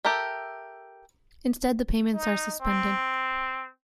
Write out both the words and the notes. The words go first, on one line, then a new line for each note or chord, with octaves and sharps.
Instead the payments are suspended.
G4 A4 A#4 E5
D#4
C4